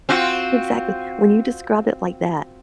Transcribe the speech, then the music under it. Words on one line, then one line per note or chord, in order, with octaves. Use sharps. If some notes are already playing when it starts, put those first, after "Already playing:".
exactly. When you describe it like that,
C4 F4 F#4